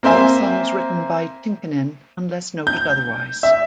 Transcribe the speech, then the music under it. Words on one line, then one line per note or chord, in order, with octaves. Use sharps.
All songs written by Tynkkynen unless noted otherwise.
A#3 C4 C5 E5 G#5
G6
E5